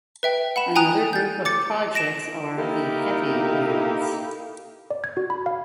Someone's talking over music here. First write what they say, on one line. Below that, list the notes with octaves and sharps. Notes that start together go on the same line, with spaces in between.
Another group of projects are the "heavy" units.
B4 E5 G5
F#5 B5 E7
G5 G#5 A#5 D#6 F#6
G6 A6
D6 A6 C#7
A#6 D7 E7
A#3 D#4 E4 G4 A4 A#4
D5
G#6
F#4
B5
F5